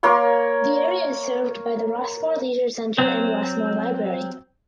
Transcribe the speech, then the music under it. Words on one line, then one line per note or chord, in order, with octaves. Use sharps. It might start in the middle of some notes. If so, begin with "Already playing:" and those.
The area is served by the Rossmore Leisure Centre and Rossmore Library.
A#3 A#4 C#5 C6
F#3 C4